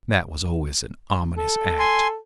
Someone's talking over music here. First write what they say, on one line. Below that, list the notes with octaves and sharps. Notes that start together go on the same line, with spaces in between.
That was always an ominous act.
A4
G#5 C6